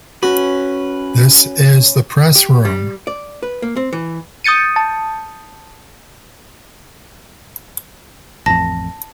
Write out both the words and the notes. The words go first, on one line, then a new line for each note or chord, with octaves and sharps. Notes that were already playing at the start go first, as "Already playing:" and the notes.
This is the Press Room.
C#4 F#4 B4
G4
G3
D5
B4
A#3
C4
E3
D#6 G6 A6 C#7 D#7
A5
A1 F2 A5 A#6